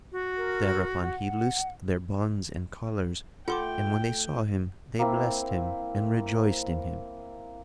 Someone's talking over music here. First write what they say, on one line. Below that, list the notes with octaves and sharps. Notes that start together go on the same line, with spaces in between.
Thereupon he loosed their bonds and collars, and when they saw him, they blessed him and rejoiced In him.
F#4
A#4
F#5
A3 F4 F#5 G5 C6 D6
A#3 C4 E4